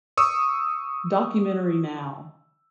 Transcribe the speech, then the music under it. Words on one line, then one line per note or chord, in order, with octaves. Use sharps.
Documentary Now.
C#6 D#6 E6